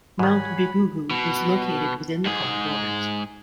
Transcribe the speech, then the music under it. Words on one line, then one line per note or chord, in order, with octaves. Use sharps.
Mount Bigugu is located within the park borders.
G#2 D#3 C#5 F#5 G#5 B5
B2
G#2 G#4